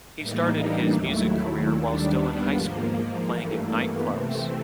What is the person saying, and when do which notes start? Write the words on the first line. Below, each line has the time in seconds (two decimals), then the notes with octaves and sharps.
He started his music career, while still in high school, playing in night clubs.
0.18 A2 E3 G3 A#3 D#4
0.56 D4
0.94 D#2 D#3 F#3 A3 E4
1.33 E4
1.72 D#2 D#3 G3 D4
2.11 B3
2.49 G#2 F3 A#3
3.26 G2 E3 A3 A#3
3.66 B3
4.04 C3 E3 A3 C4